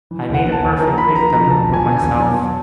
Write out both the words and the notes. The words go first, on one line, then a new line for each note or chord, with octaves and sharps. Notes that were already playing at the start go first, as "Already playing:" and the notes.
I made a perfect victim of myself.
E3
D#2
F#5
D#2
A5
G#5
D#2
F3 A#5
F3 B5
D3 A#5
F3 A#5
E1 A5
E1
G#5
E2
G#5
E2
F#3 A5